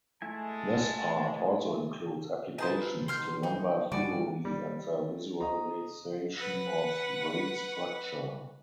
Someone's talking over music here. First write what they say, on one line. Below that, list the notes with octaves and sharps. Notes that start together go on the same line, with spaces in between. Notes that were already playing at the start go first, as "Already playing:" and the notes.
This part also includes applications to number theory and the visualization of brain structure.
G#3 A3 E4 G#5 A5
C4 D#4 F4 G#4 B4 C5 A5
B2 D#3 C6 F6 G6
D#4
G2 D3 G3 G#3 F#4 D5
G3
D#5 A#5
B4 F#5